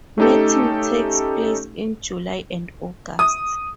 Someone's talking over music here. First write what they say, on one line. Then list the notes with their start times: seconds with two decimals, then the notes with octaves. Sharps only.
Mating takes place in July and August.
0.18 A3 C#4 D#4 G4 A4
3.19 D#6